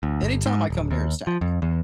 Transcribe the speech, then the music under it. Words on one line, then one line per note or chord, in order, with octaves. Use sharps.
any time I come near his tank,
D2
G1
G#2
D1
D#2
F3
F2
E2